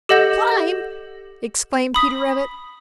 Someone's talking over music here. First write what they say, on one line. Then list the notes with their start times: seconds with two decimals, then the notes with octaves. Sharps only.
"Climb!" exclaimed Peter Rabbit.
0.09 G4 A4 D#5 F#5 G6 A#6
1.94 B5 D#6 B6